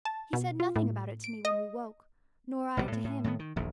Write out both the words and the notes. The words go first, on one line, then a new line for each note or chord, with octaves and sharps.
He said nothing about it to me when we woke, nor I to him.
A5
B2
F4
A2
D7
D#5
A1 B2 D3 G3
A2
A2
A2 D#3 A#3 B3
D#3
D#1 A#1 E2